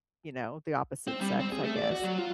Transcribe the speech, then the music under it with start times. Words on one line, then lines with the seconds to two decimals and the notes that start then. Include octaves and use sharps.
you know, the opposite sex, I guess.
1.08 C4
1.21 G3
1.40 C4
1.52 G#4
1.64 A3
1.76 D5
1.91 F#4
2.04 F#3
2.18 F4